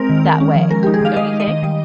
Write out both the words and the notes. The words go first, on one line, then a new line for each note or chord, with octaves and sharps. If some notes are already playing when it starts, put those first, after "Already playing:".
that way, don't you think?
Already playing: G#3 C4 A#4
D#3
G#3
C#4
F3
G#3 A#4
G4
D#4
G#4
D#3 F5
G#3 D#5
D#4
D#5
D#3
G3 D#5